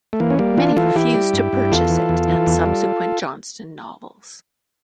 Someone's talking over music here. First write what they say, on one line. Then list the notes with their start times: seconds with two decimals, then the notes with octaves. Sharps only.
Many refused to purchase it and subsequent Johnston novels.
0.13 A3
0.20 E3 A#3
0.30 C#4
0.39 G3 A#3
0.57 E3 D4 F4
0.76 E3 F4 A4
0.95 E3 E4 G4
1.15 G3
1.33 G2
1.53 G2
1.72 E2 F4 A4
1.90 E3
2.09 E2
2.28 E3
2.46 E2
2.66 G3